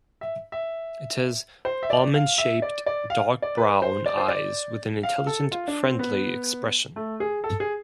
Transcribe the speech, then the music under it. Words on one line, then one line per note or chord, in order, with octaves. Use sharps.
It has almond-shaped, dark brown eyes with an intelligent, friendly expression.
E5
E5
C5
E5
D5
F5
E5
D5
D5
F5
D5
B4
C5
D5
C5
D5
F5
A4
F4
D4
C4
B3
A3
G#4
A4
G#4